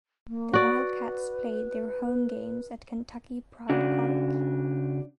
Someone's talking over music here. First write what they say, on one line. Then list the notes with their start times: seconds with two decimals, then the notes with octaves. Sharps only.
The Wildcats played their home games at Kentucky Proud Park.
0.28 A#3
0.53 F#4 D5
0.74 B4
3.70 C#3 D4 F#4